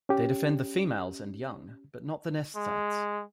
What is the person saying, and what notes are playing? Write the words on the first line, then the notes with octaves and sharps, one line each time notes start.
They defend the females and young but not the nest sites.
C#4 G4
G#3